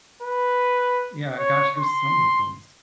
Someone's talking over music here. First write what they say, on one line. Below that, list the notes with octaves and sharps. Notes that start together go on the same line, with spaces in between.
yeah gosh, there's so many things.
B4
C#5
C6